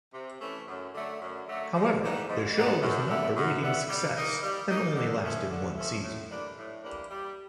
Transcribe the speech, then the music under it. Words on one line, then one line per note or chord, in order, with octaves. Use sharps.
However, the show was not a ratings success and only lasted one season.
C3
E3 A3 C#4
F#2
D3 F#3 A3
F#2
D3 F#3 A3
G#2
E3 G3 B3 D#4
G#2
E3 G3 B3 D#4
F#2
D3 G3 B3 E4
F#2
D3 G3 B3 E4
G3
A#3 D#4
G3
A#3 D#4
D3
F3 A3 C#4 E4
D3
F3 A3 C#4 E4
A2
E3 G3 A#3 D4
A2
E3 G3 A#3 D4
G3